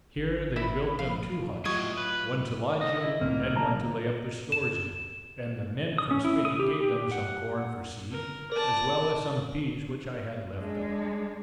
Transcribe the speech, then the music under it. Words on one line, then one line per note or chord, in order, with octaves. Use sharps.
Here they built them two huts, one to lodge in, and one to lay up their stores in; and the men from Spain gave them some corn for seed, as well as some peas which I had left them.
G#1
E4 B5
F3 F5
A2 F#3 G3 F4 D#5 C#6 D#6 G#6
B4
D#5
E4 D#5
C2 A2 A#3 C4
B2 D3 G3 A5 A#5
E7
D#6
C#4
E4
D#6
G4
G4
F#5
A#4
A#4 D5 A5
G#3 D4